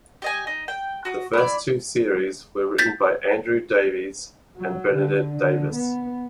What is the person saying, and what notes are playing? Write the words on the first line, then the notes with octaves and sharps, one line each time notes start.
The first two series were written by Andrew Davies and Bernadette Davis.
G4 D#5 G#5
D#4
G5
F#4 D#6
E4 D5
G6 A6 B6
F#3
D3
D3
B3